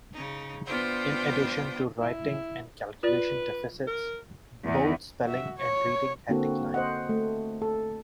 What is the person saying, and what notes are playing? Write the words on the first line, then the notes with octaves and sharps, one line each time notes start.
In addition to writing and calculation deficits, both spelling and reading had declined.
C#3 D#4
B3 D4 F4 C5 G5
E4
F4 B4 D5 A6
A#4
E2
F#4 E5
C#5
D3 A#3 C4 F#4 A4
C5 D#5 F#5
A3
A4